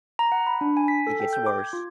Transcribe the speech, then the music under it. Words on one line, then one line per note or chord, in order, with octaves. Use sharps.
It gets worse,
A#5
F#5
B5
D4
G#5
B6
A4
G5
G6
D6
G#6
F4